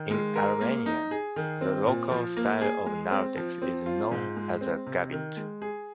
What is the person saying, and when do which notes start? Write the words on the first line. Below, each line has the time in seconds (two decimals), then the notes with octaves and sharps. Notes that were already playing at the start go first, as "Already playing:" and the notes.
In Armenia the local style of narthex is known as a "gavit".
Already playing: D#3
0.11 G#3
0.36 A#4
0.61 A#3
0.86 D#4
1.11 G#4
1.36 D#3
1.61 C4
1.87 A#2
2.11 F3
2.37 A#3
2.61 G#4
2.86 G#3
3.11 C4
3.37 F3
3.62 C4
3.86 F4
4.12 G#2
4.36 G#3
4.61 C4
4.86 C3
5.12 D#3
5.37 G#3
5.62 G#4